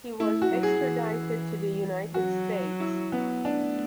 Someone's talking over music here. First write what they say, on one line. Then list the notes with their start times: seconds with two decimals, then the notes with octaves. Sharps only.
He was extradited to the United States.
0.20 A3 E4
0.42 F#4
0.52 F#3
0.63 G#4
0.85 E3
2.14 F#3 F#4
2.80 E4
3.12 B3
3.45 A3 D4